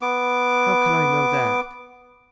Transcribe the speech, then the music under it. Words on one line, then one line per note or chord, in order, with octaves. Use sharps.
"How can I know that?"
B3 D6